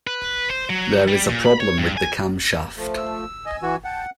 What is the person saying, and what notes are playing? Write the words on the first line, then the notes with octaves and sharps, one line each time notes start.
There is a problem with the camshaft.
B4
C5
F#3
G3
A#2
B5
C#5
G2
G#5
F3 A3
E6
D#5 G#5 E6
E3 F#4
F#5 G5 A5